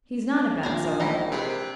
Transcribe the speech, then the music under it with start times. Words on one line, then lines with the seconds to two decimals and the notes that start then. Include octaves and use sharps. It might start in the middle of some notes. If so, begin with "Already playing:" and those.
He's not a bad sort.
0.63 A#1 A#4 C5 D5
1.00 D#3 E3 D#4 D#5
1.32 C3 G#4 B4